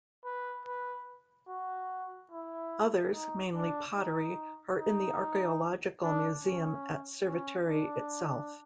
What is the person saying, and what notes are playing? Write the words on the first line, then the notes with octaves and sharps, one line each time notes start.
Others, mainly pottery, are in the Archaeological Museum at Cerveteri itself.
B4
B4
F#4
E4
D#4
D4
D#4
D#4
D4
C#4
C#4
D4